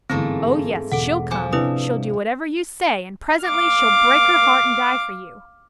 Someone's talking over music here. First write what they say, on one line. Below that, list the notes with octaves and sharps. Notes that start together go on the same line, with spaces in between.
Oh, yes, she'll come! she'll do whatever you say, and presently she'll break her heart and die for you.
G1 G#2 E3 A3 A#3 C4
E1 A4 F#5
F3 G#5 D6
C3 D4 E4 B4 D#6
F5 D6